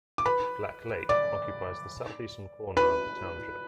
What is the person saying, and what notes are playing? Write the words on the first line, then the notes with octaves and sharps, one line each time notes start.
Black Lake occupies the southeastern corner of the township.
D6
B4 B5
D5 D6
B4 B5